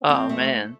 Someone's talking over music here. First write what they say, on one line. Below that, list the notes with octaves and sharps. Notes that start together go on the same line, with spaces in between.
Oh, man.
F2 C4
A3